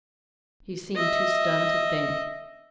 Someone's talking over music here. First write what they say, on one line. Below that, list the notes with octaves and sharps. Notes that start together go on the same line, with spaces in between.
He seemed too stunned to think.
D#5 E5